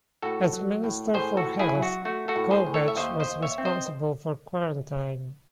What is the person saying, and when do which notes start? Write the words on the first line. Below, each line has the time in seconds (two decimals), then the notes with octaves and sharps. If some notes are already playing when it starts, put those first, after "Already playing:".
As minister for health, Colebatch was responsible for quarantine.
0.22 A2 F#4 A4
0.53 F#3
0.84 A2
1.14 A2 G#4 C5
1.37 F#4 A4
1.44 A2
1.59 E4 G#4
1.75 F#3
1.82 F#4
2.05 A3 F#4
2.28 F#4 A4
2.36 A2
2.51 G#4 C5
2.67 A2
2.74 A4 C#5
2.88 E5
2.96 D#2 C5 D#5
3.20 C5 D#5
3.28 D#2
3.43 C#5 E5
3.58 C4
3.65 C5 D#5